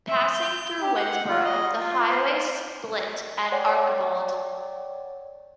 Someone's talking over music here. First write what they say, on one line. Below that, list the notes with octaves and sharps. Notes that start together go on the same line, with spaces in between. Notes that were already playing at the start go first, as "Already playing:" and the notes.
Passing through Winnsboro the highways split at Archibald.
E5
G6
G4
F#5
F4
D#5
F4
C5
C#5 D5 F#5 G5